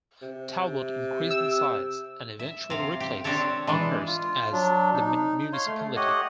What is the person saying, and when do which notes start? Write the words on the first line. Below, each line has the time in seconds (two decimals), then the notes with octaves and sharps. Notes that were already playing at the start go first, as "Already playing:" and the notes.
Talbot increased in size and eventually replaced Amherst as the municipality.
0.22 C3
1.30 E6
2.39 E5
2.70 C3 F5
3.00 G4
3.24 C4 D4 G4 A4 C#5
3.67 E3 G#3 D4
4.06 F4
4.52 F#3 D4
4.94 D#4
5.53 C#5 F5 C6
5.66 A3
5.96 G4 C#5 D#5 F#5